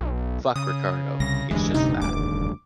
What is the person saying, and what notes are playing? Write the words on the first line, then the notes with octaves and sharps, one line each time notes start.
Fuck, Ricardo! It’s just that...
B1
C#3 D#6
C2 A#6
F1 D2 G2 E3 G#3
C3 D#4
D#1 D6